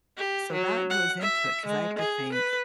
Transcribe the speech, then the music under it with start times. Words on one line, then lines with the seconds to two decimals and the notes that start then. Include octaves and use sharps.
So, that goes into it, 'cause I have to think,
0.17 G4
0.52 F#3
0.90 F#5
1.22 E5
1.66 G#3
1.99 G#4
2.33 B4